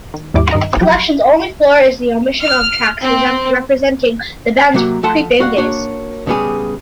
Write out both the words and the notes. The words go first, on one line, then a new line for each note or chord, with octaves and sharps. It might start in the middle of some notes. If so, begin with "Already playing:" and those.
The collection's only flaw is the omission of tracks representing the band's pre-fame days.
D#3
D#2 G#2 G3 E4 D6
G2 D#3 D#5 A#5
F3 F#3 G4
F6
C4
C3 F#3 A#3 F#5
F3 A3 A4 F#5 A5 C6
G3 F#4 F5 F#5
A#3 D4 F#4 C#5
A2 C#3 G3 B3 G4 G#4